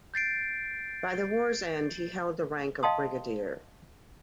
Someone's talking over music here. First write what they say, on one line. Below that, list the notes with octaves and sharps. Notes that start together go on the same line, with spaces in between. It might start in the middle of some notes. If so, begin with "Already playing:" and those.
By the war's end he held the rank of brigadier.
G6 A6 C7 D7
D#5 F5 G5 A5 C6 D#6